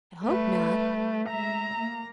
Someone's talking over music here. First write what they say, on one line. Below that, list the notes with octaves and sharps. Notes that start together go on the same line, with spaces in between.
"I hope not."
G3 A3 B4
G#3 E5 A#5
A#3